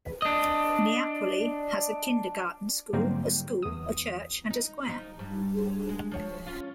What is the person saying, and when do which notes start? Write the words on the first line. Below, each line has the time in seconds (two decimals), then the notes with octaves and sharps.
Neapoli has a kindergarten school, a school, a church and a square.
0.22 D4 D#5
2.93 G#2 D3 F#3 G3 A#3 C4
3.62 E2 D#6
4.50 D#4
4.88 F3 D#4
5.19 G2
5.89 G#3
6.11 F3 C#5
6.46 C#4 F4